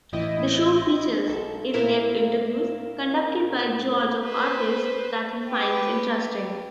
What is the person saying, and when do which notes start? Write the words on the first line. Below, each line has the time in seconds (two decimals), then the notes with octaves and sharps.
The show features in-depth interviews conducted by George of artists that he finds interesting.
0.13 A1 E3 E4 D#5 G5
1.28 B1 A4
1.73 A#2 E4 A#4 F5 E7
4.23 B4 C5
5.48 G4 B4